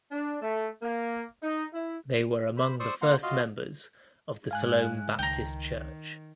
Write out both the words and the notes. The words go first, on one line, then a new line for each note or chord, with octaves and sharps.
They were among the first members of the Siloam Baptist Church.
D4
A3
A#3
D#4
E4
C5 B5
C5 D5 C6 C#6 D#6 E6
A#3 F4 F#5 A#5 C6
F4 F#4 D#5 F5 C6
G#2 F5 G#5 F#6
C#2 D#3 G5 A#5